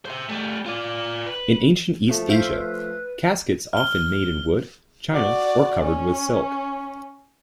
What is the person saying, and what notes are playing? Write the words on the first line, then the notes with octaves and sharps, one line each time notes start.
In ancient East Asia, caskets often made in wood, china, or covered with silk.
C5 E5
G3 A3
F4 D5
B4
F3 A3
C5 E5 F5
B4
F6 G7
F#4 D5
C#4